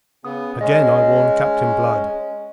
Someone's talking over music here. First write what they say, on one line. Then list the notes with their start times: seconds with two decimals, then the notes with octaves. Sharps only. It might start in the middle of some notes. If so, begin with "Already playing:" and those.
Again I warn Captain Blood.
0.25 C#3 B3 D#6
0.61 G#3 C#4 D#5